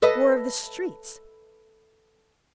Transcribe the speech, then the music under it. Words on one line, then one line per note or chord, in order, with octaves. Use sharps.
War of the streets?
A4 B4 D#5